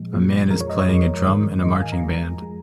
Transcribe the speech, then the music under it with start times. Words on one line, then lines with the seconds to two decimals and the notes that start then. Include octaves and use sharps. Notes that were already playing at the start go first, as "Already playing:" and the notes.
A man is playing a drum in a marching band.
Already playing: A#2 F3 G#3
0.13 A#2 F3 G#3
0.50 F2 F3 G#3 A#4
0.60 C#5
0.70 D#5
0.79 C#5
0.89 F2 F3 G#3 A#4
1.26 G#2 D#3 G#3
1.63 G#2 D#3 G#3 D#5
1.74 F5
1.82 G#5
1.92 A#5
2.01 F2 F3 G#3
2.41 F3 G#3